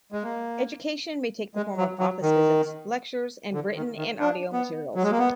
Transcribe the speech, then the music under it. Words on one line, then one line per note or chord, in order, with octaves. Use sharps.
Education may take the form of office visits, lectures and written and audio materials.
G#3
A#3
G#3
F#3
F#3
D#3
D3
D#3
D#3
D4
B3
F#3
G#3
A#3
B3